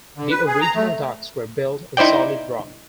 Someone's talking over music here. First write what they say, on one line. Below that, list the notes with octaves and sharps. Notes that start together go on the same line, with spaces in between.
The original docks were built on solid rock.
D3
B4
G#4
A#5
A3
D#4 E4 C5 D5 G5